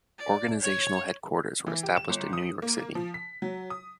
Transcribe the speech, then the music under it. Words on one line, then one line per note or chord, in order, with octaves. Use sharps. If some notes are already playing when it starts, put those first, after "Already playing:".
Organizational headquarters were established in New York City.
D5
C#5
E3
G4
E7
G1
D#6
A#3
F3
B6
F#3
D#6